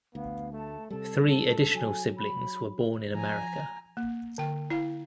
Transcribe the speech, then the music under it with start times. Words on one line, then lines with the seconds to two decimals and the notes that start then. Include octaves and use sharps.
Three additional siblings were born in America.
0.15 D2 B3 F5
0.52 A3 A5
0.90 C3 G3 A4 A5
1.75 F#3 G#5
2.18 B5
3.15 F3 G#5 A#5
3.97 A#3
4.38 D3 G5
4.70 E4 F5